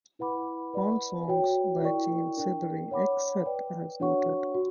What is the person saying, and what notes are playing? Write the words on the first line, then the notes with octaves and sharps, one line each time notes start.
All songs by Jane Siberry, except as noted.
E4 B4 F#5 B5 D6
B4 D5 F#5 B5
F#4 C#5 G5
E4 A#4 D5 G5 C#6
D4 A#4 D5 G5
C#5 F#5 B5 D6
B4 D5 G5
D4 F#4 C#5 F#5 C#6
F#4